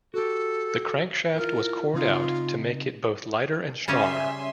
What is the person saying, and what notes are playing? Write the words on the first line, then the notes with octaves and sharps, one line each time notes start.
The crankshaft was cored out to make it both lighter and stronger.
F#4 G4 A4
E4 F4 A#4
C#3 C4 D#4 F4
C#3 G3 C#4 E5 G#5 C6